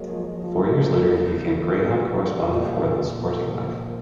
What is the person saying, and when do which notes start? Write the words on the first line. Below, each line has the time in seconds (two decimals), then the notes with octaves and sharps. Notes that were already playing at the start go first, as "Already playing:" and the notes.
Four years later he became greyhound correspondent for the "Sporting Life".
Already playing: F#3 G#3 A#3
0.09 F3
0.43 F3
0.78 A#3
1.12 E4
1.47 E4
1.74 G#3
1.81 F3 G3 B3
2.15 B3
2.50 A#2
2.84 A#2
3.18 D#3 F3 B3
3.53 A#2